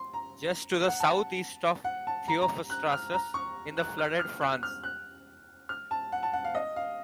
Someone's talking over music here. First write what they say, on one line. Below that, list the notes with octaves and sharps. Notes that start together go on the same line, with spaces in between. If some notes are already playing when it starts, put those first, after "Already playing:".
Just to the southeast of Theophrastus is the flooded Franz.
Already playing: C6
A#5
F#5
A5
F#5
A5
A#5
A#5
F#6
F6
A#5
C#6
F#6
F6
F6
F#6
F6
F#6
F6
A5
F#5
A5
F#5
F5
D#5
F5